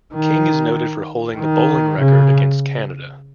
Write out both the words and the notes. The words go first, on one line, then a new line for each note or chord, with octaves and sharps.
King is noted for holding the bowling record against Canada.
D#3
D#3
C#3